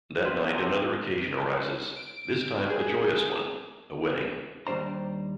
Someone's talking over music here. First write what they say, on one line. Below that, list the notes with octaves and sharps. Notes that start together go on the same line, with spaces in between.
That night another occasion arises, this time a joyous one-a wedding.
F#4 B4 C6
D#2
F#2 C3
D7
G#4
D#2 G3 D4 C5 A#5